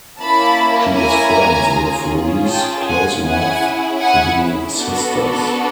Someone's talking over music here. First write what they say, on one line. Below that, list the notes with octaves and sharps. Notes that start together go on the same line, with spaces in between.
She is friends with Louise, close enough to be sisters.
A#3 C#4 E4 A5 B5
G#5 A#5
C#4 F4 G#4
G5 A5
F#5 G#5
C#4 E4 G#4 F#5 G#5
F#5 G#5
B3 D4 F#4 A4